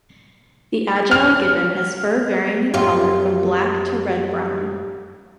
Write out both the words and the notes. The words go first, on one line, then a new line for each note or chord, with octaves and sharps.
The agile gibbon has fur varying in color from black to red-brown.
F6
F#2 F4 G4